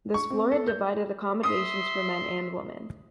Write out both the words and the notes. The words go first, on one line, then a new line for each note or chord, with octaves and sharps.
This floor had divided accommodations for men and women.
C#6
C4
A4
G6
E5 C6 D#6